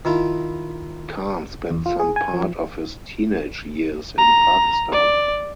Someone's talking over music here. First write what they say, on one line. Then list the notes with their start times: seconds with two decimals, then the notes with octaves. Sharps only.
Khan spent some part of his teenage years in Pakistan.
0.05 D#3 E4 F4
1.71 E2
1.86 F4
1.99 G#4
2.16 G#5
2.34 F3
4.18 A#5
4.92 D5